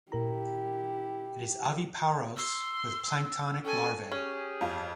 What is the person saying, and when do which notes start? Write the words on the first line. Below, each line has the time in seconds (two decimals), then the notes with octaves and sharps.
It is oviparous with planktonic larvae.
0.12 A#2 E4 G4 A#4 A#5
2.37 C6 E6
3.64 C#4 A4 G5 G#5
4.12 C#4 G4 G#4
4.61 F2 F4